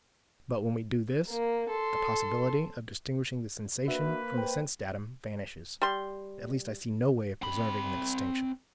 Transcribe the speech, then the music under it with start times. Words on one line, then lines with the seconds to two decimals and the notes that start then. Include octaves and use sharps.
But when we do this, the possibility of distinguishing the sensation from the sense-datum vanishes; at least I see no way of preserving the distinction.
1.30 A#3
1.70 A4 C6
3.87 A#3 D4 F#4 B4 E5
4.34 C5 G5
5.82 G3 C6
7.42 C4 B5